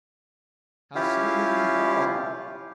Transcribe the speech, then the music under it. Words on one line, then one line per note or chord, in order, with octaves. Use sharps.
"How soon will you go?"
C#4 E4 F4 G4 F5